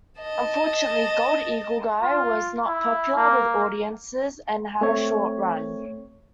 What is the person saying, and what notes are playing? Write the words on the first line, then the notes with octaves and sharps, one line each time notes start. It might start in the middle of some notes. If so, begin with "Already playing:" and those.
Unfortunately Gold Eagle Guy was not popular with audiences and had a short run.
D#5 A5
F4
E4
A#3
A3 C4 C#5